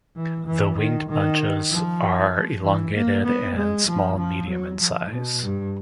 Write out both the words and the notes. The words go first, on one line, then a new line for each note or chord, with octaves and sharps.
The winged bunches are elongated and small-medium in size.
E3
E3
D#3
D#3
F3
E3
A#3
B3
G#3
F3
F3
F#3
F3
B2
G2